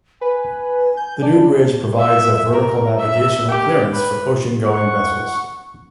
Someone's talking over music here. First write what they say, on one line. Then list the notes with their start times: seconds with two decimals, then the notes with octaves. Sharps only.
The new bridge provides of vertical navigational clearance for oceangoing vessels.
0.21 B4 G#5
0.97 G6
1.22 D5 A5
1.98 E5
2.53 A#4
2.97 E5
3.48 G4
3.92 B4
4.66 F#5 C#6